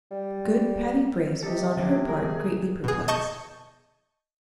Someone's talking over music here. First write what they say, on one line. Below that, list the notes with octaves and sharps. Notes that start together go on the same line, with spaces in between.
Good Patty Brace was, on her part, greatly perplexed.
G3
C3 G4 A4 D#5
D3 B3 D4
G#4 A#4
B2 G#4
D#5 A5 C#6 G6